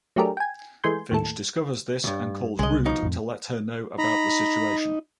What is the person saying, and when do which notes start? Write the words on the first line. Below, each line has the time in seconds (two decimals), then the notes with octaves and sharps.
Finch discovers this and calls Root to let her know about the situation.
0.16 F#3 A3 D4 G4 G#4 A#4
0.37 G5 G#5
0.84 E3 G#3 A3 G#5 C6 G6
1.11 D#2 A2 A4
2.04 C#2 G2
2.59 C2 C#3 G#3 D#5
2.85 B2 F3 D#4
3.03 F2 A2
3.98 D#4 A#5 B5